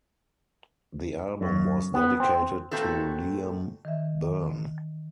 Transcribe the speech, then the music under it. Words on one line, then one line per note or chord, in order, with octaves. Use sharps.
The album was dedicated to Liam Byrne.
F#2
B3
C4
A#2 F#3 A3 C4 F#4 A4
D#3 E3 E5